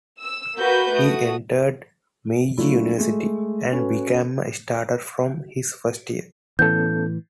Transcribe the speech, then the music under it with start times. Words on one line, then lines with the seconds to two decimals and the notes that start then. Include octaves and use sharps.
He entered Meiji University, and became a starter from his first year.
0.21 E6
0.58 A#3 F#4 B4 B5 G6
0.94 A3 F#4 D#6
2.57 F#3 A3 D4 E4 F4
2.98 G#3 A3
3.72 C#4 F#4 A4 B4
6.59 A2 E3 B3 C#4 A4 G6